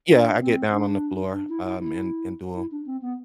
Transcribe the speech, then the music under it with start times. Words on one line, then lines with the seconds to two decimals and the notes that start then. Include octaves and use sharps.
Yeah, I get down on the floor, um, and and do 'em.
0.10 D4
0.41 C4
0.72 D4
1.33 D4
1.49 E4
1.64 E4
1.79 E4
2.55 E4
2.71 D4
2.86 C4
3.02 B3